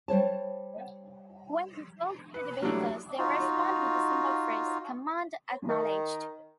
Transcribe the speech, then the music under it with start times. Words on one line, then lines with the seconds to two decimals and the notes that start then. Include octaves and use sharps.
When he talks to the vehicles, they respond with a single phrase, "Command Acknowledged".
0.08 G3 C5 C#5 A5
2.34 B4
2.62 F#3 G3 A3 D4 E4
3.18 D#4 F4 F#4
5.69 D#3